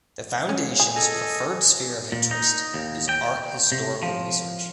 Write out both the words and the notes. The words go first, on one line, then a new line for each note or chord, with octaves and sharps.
The Foundation's preferred sphere of interest is art historical research.
C#4
G#4
A4 D#5 G#5
A#2
D#4
D#2
G5
C3
F3